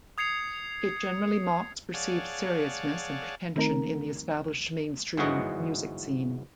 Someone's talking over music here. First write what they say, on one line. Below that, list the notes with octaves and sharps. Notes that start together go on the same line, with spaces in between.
It generally mocks perceived seriousness and pretension in the established mainstream music scene.
D#6 G#6 C7 C#7 F7
G#4 C#5 D5 F5 F#5 A5
D#3 A3 C4 D#4 A#4 A#5
G1 G#2 E3 F#3 F#4 D#5